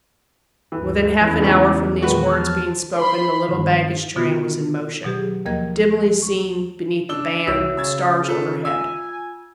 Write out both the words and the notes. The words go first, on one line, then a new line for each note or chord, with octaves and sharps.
Within half-an-hour from these words being spoken the little baggage-train was in motion, dimly-seen beneath the band of stars overhead.
D2 G2 E3
E2 C#4 D#4 E4
C#2 G#2 C#6
A#2 D#3 G#3 F#4 B4
F3 A5 F6
C5 B5 C6
G1 D#3
B2 D3 D#3 B3 F4 F#4
B2 F#3 G4 G#4
D#2 F3 A#3 A#4 D#5 G#6
C#6
D4 E6 G7
C2 F#4 C#5 E5 E6
C#3 E6 G#6 A6
F4 A4
G#5 E6